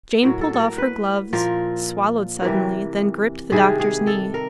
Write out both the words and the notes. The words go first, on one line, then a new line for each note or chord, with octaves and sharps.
Jane pulled off her gloves, swallowed suddenly, then gripped the doctor's knee.
A2 F#3 A#4
A4
A4
A#4
B4
A#2 F3 A#4
C3 E3 G3 A#4
C3 D#3 G3 G#4
G#4
A4
A#4